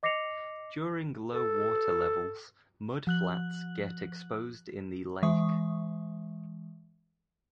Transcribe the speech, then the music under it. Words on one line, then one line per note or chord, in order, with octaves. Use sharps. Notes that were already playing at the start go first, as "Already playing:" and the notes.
During low water levels mudflats get exposed in the lake.
D#5 D6 A#6 C7 C#7 F7
A4
F3 F#6 F#7
E3 G#3 E5 C#6 D#6